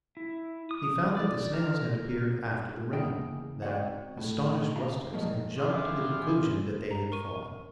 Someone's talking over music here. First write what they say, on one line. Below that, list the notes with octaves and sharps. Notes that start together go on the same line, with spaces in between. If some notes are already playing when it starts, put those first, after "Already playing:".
He found that the snails had appeared after the rain: that "astonished rustics had jumped to the conclusion that they had fallen."
E4
D#6
D5
A#4
E2 C#3 A#3 E4 D#5 G5
C4 F#4 D5 F#5
A2
E5 F5 G5 A5 A#5
A#2 D#3 F3 F#3 G#3 A#3
B3 E4 F4 G4 G#4
A#5
A#4 C#6 D#7